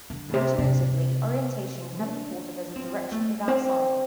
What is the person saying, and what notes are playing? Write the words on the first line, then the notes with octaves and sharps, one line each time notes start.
Intuitively, orientation can be thought of as a direction without sign.
D3
A2
C3
C3
D4
C4
A3
C4